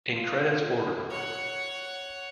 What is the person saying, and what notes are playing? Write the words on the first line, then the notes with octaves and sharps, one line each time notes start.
In credits order.
F4
C#5 F#5